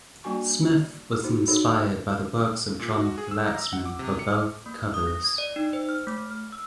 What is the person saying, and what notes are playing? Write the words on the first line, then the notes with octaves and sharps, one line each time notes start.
Smith was inspired by the works of John Flaxman for both covers.
G3 A#3 D4 F#4 G#5 C#6
D5
D#4 F#4 C5
D#4 F#4 G#4 A4 C5 C#5
A#2
F#4
G#4
E6
A#5
F#5
D6
C3
C#7
F6
A#3
D#6
A#6
G#6
D5
D#4
C5
F6
A3
F6
E6